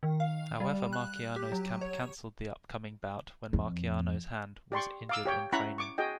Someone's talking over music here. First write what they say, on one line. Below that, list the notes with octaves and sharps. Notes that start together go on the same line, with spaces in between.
However Marciano's camp cancelled the upcoming bout when Marciano's hand was injured in training.
D#3
F5
G3
F#6
G4
F#3
C#5
F2
G4 D5 C6 C#6
F5 D6 E6
G4 C#5 G5
C#4 E4 F#5 A#5 B5 C#6
C#6 D6
F#4 G#4 D#5 G5